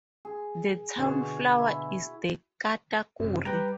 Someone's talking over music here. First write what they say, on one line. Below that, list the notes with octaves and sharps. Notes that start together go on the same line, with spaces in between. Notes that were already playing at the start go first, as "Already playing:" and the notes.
The town flower is the Katakuri.
G#4
B2 D3 F#4 G#4 C#5
E4
F#2 C3
G3 B4 G5 A#5